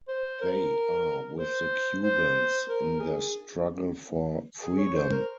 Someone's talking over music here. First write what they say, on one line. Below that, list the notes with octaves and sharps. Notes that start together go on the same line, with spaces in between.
They are with the Cubans in their struggle for freedom.
C5
A#4
C5
C5
A#4
G#4
G#4
C#5
C5
A#4